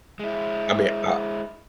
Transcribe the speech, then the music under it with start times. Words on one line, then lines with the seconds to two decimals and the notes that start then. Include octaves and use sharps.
I mean, I
0.20 G#3 E4